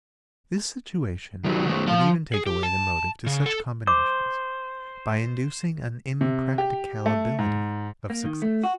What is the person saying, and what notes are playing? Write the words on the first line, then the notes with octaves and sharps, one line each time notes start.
This situation would even take away the motive to such combinations, by inducing an impracticability of success.
D#3 F#3
D#3 A3
F3 F5
G#4
G4
A5
C#3
A4
C5 D6
C3
G4
A3
G#2
A#3
D#3
A3
F#4